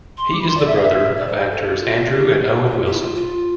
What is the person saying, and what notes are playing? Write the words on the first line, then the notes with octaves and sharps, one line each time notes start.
He is the brother of actors Andrew and Owen Wilson.
C6
D6
B5
C6
D5
E5
F5
E5
D5
C5
G4
A4
G4
F4
F4
G4
C5
B4
G4
F4
G4
E4
F4
F4